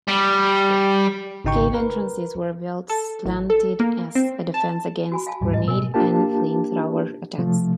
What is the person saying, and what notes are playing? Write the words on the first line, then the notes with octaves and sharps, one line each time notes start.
Cave entrances were built slanted as a defense against grenade and flamethrower attacks.
G3
G#1 C#3 D#4 G5 C#6
A#4 B4
A4
A1
A4
A#3
C4
A5
F#4 G#5 B5
F5 G#5 A5
D#1 G#2 G3
A2 G3 G#3 D#5
B2 A#4 G#5
A#3 D4 F4 G4 A#4 A5
C3 F3 A3